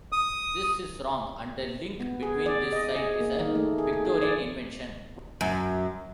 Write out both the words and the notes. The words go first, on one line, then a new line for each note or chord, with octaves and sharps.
This is wrong and the link between this site is a Victorian invention.
D#6
B3
G#4
D5
D#5
G#4
A#3
D#3
A3
G#4
G#4
G#4
D5
F#2